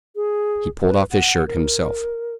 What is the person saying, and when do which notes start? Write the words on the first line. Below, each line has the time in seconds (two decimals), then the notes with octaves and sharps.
He pulled off his shirt, himself.
0.16 G#4
0.86 B4
1.11 F#5
1.47 A#4